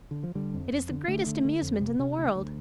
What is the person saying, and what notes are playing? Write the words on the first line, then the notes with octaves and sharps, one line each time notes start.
It is the greatest amusement in the world!
D3
F3
D3 G3
F2
F2
D3
D3 A3
D3
D3
F2
C3
C3
D2
D2